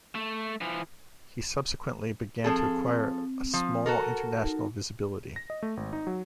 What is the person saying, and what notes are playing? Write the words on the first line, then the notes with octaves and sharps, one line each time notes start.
He subsequently began to acquire a small international visibility.
A3
E3 F3
F3 C4 G#4 A4
F3
F#4 A4 A#4
D#4
A#6
D#5
A3
G#1
D#4
F#3